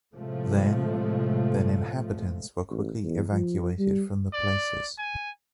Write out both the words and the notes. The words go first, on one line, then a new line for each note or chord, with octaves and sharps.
Then, then inhabitants were quickly evacuated from the places.
A2 C3 F3 G#3 A3
A1
E2
F3
G3
D5
G#5